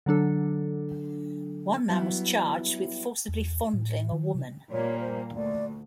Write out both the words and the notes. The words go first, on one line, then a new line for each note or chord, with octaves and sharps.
One man was charged with forcibly fondling a woman.
D3 F#3 D4 A4
F#3 G3 B3 E4
E2
A2
D#3
C3
A#2 G3 A#3 C#5
C5
D2 D5